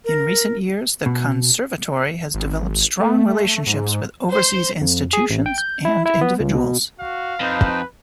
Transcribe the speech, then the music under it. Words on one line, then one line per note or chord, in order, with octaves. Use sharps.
In recent years, the Conservatory has developed strong relationships with overseas institutions and individuals.
A#4
B2
G#1
A3
G#2
C5
F2
G#4
A1
G5
G6
E4
E4
B3
C#2
B2
F#4 F5
F2 D#4 B4 C5